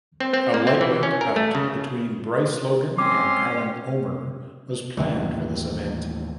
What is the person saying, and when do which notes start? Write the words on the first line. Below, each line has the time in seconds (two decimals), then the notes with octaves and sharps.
A lightweight bout between Bryce Logan and Alan Omer was planned for this event.
0.20 C4
0.34 C4
0.54 A#3
0.67 C4
0.81 E3
1.03 C#4
1.21 A#4
1.36 A3
1.55 C#3
2.98 G#3 C4 C#4 C6 D6
4.97 D#2 A2 E3 F#3